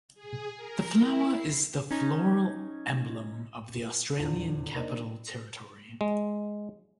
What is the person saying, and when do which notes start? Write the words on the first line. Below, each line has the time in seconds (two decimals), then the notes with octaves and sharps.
The flower is the floral emblem of the Australian Capital Territory.
0.15 G#4
0.57 A#4
0.99 E4
1.30 C7
1.91 C#4 D#4 G#6
4.18 D#1 E2 D3 F4 A5
4.75 A#3 D4 D#4 C5
6.01 G#3